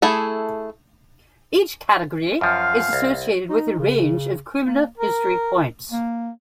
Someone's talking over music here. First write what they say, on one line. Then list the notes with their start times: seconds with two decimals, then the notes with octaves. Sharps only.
Each category is associated with a range of criminal history points.
0.02 A3 E4 G#4 A4
2.41 F#2 F3 F5
2.93 C2
3.49 D#4
3.79 C#3
4.65 A#3
4.98 A#4
5.92 A#3